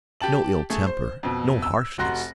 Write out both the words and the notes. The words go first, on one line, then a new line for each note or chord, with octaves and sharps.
No ill-temper, no harshness.
G4 G5 A5 F#7
A3 G#4
C5
F2 B2
E6
F1 F#4 A#5 C6 F#6 A#6